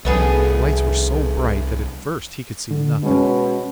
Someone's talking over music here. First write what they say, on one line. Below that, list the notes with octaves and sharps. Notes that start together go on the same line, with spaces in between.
The lights were so bright that at first he could see nothing.
C2 F3 A3 B3 G#4
D3
B2 G#3 C#4